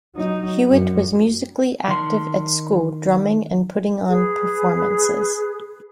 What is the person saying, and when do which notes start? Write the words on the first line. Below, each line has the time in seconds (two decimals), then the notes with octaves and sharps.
Hewitt was musically active at school, drumming and putting on performances.
0.15 F#3 D#4
0.69 F#2 F#3
1.88 D#3 C6
4.07 G#4 B4